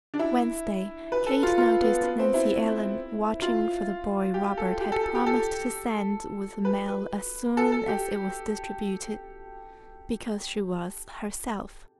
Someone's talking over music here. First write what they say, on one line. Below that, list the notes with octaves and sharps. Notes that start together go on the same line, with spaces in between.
Wednesday Kate noticed Nancy Ellen watching for the boy Robert had promised to send with the mail as soon as it was distributed, because she was, herself.
D4
E4
B4
A4
F4
F4
B3
B3
C4
E4
F4
G4
A4
G4
A4
A4
G4
A4
B4
B4
A4
A4
G4